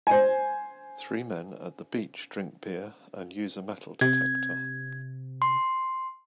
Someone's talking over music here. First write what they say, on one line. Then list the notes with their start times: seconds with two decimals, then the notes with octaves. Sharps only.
Three men at the beach drink beer and use a metal detector.
0.07 C5 G#5
4.01 C3 G#6
5.42 C6